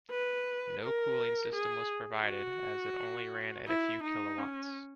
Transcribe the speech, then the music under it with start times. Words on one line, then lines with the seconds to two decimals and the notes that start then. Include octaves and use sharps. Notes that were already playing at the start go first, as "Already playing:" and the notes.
No cooling system was provided as it only ran at a few kilowatts.
0.11 B4
0.82 A#4
1.53 G#4
2.25 F#4
3.68 E4
4.04 D#4
4.39 C#4